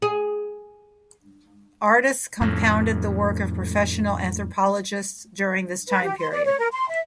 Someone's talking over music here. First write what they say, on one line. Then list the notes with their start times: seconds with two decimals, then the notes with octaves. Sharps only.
Artists compounded the work of professional anthropologists during this time period.
0.02 G#4
2.41 F2 A2
5.88 B4
6.03 G4
6.19 C6
6.30 D5
6.45 C#5
6.59 A#4
6.73 C6
6.89 E5